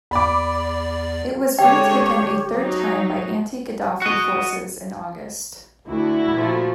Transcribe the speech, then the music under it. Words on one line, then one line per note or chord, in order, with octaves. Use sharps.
It was retaken a third time by anti-Gaddafi forces in August.
E2 D5 B5 D6
D3 G#3 G4 C#5 G5
F#3 D#4
F#4 D#5
D2 D3 E4 F#4
A#2 F3 A3